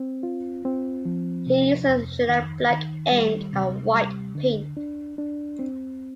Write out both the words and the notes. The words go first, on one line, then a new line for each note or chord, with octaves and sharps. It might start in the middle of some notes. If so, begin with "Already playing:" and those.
He uses shellac black ink and white paint.
Already playing: C4
F4
C4
F3
C3
F2
D#3
D#3
G3
C3
G3
D3
D4
D4
C4